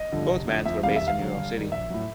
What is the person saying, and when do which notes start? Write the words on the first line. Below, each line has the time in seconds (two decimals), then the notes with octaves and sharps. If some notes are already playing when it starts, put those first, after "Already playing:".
Both bands were based in New York City.
Already playing: D#5
0.12 G2 D3 F3
0.30 F1
0.48 F2 D3
0.65 F2 E5
0.83 C3 E3 G3 F5
0.96 D#2 E5
1.08 F5
1.19 D3 F#3
1.37 G1
1.54 G2 D#3
1.72 A#1 E5
1.90 A2 F#3